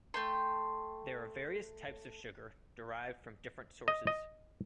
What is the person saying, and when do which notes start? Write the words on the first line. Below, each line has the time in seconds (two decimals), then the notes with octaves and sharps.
There are various types of sugar derived from different sources.
0.14 A3 G5 C6
3.88 D#5
4.07 D#5